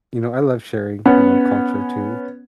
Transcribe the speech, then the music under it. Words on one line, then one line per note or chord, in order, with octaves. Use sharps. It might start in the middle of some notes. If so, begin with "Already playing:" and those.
you know, I love sharing, you know, culture too.
B3 C#4 F#5